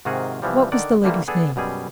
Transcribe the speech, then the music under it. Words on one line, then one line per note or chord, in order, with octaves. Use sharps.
"What was the lady's name?"
G#2 C3 D#3 F4 F#4 G#4
C2 E3 F3 G3
D3 D#3 D5 F#5
D3 E3 G3 A3 A#3
B3 D4 G#4 A4
F#2 B2 G3 G#4